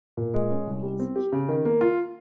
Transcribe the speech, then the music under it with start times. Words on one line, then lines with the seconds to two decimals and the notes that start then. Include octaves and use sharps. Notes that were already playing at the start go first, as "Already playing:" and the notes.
He is a keen poet.
0.17 A#2
0.34 G#3
0.50 C#4
0.67 C2
0.83 G3
1.00 C4
1.16 G4
1.32 C#3
1.48 D#3
1.65 A#3
1.81 F4